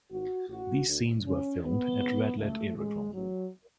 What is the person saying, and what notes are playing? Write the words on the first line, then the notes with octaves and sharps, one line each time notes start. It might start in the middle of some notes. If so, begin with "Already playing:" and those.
These scenes were filmed at Radlett Aerodrome.
G#1 G#2 F#4
A1 A2 F#4
D2 D3
C#2 C#3 C#4
G#1 G#2 B3
G#1 F#2 C#3
C#2 B2 A3
A1 A2 G#3
A1 G#2 F#3